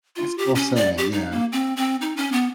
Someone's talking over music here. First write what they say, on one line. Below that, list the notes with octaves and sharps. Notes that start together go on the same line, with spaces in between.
It's for selling, yeah.
F4
G4
C#4
D5
G4
D#4
A#3
C4
C4
D#4
C#4
B3